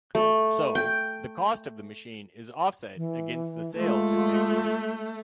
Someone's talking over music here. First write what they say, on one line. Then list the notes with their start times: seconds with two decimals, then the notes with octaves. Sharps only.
So, the cost of the machine is offset against the sales in that year.
0.15 A3
0.75 G5
2.97 E3
3.77 G#3 A3 F4